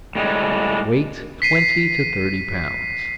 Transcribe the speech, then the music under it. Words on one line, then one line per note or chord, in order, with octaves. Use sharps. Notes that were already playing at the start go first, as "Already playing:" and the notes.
Weight twenty to thirty pounds.
A2 G3 G#3
B6 C7 D#7